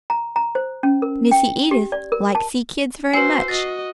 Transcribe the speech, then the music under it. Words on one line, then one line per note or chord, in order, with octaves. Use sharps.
Missy Edith like see kids very much.
A#5
A#5
C5
C#4
A#4
G5
G4
D5
A#4
A5
F#4 B4 C5 G#5 E6 C7
F#4 D#5 A6 A#6